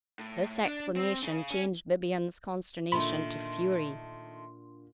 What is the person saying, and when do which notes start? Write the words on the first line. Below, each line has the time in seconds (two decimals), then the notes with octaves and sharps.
This explanation changed Bibiaine's consternation to fury.
0.19 A2
0.65 D4
0.96 C4
1.23 C#3
1.51 C#4
2.92 A#2 D3 D#3 A3 B5 C6